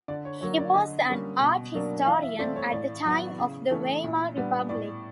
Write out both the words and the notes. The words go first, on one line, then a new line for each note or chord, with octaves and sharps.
He was an art historian at the time of the Weimar republic.
D3 D5
C#5
F#3 A#3 C#5
D5
D3 D#5
G3 A#3 C#4
B2
F#3 A#3 D4
E3 F5
E5
A3 C4 D5
C#5
A2 D5
F#3 B3
C#3
E3 A3 C#4
A#2
G3 B3 D4
A2 D5